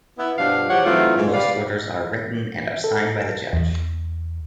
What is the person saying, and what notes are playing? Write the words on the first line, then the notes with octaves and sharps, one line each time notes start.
Most orders are written, and are signed by the judge.
B3 E4
G2 B2 F3 D4 F5
E2 B2 F3 G4 C#5 F#5
E3 F#3 A3 C4 D#4 F4
G#2 D#3
G3 B4 D5 F5
A4
E2